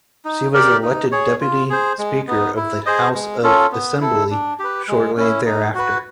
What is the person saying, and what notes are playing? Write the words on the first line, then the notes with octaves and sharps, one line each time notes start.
She was elected deputy speaker of the House of Assembly shortly thereafter.
D#4
G4 A#4 D5
D#4
G#4 C#5
F4
G#4 C5
G#3
B3 D#4
E4
G#4 C5 D#5
G#3
C#4 F4 A4
B3
E4 A4
D4
G4 B4
G#3
C#4 E4
D#4
F#4 B4